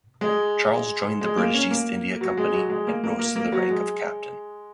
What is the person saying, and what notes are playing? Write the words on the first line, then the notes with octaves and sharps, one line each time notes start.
Charles joined the British East India Company and rose to the rank of Captain.
G#3
G#3
A#3
C#4
A#3
F#3
G#3
F#3
G#3
A#3
A#3
A#3
A#3
F#3
G#3